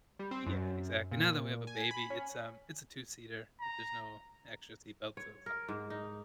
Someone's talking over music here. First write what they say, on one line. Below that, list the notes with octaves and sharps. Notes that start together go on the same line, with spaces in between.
Yeah. Exactly. Now that we have a baby, it's um, it's a two-seater. There's no extra seat belt, so it's not practical.
G3
C4
F#2
A#2
G#5
B5
C#4
A#5
C#5
A#4
G#2
D#4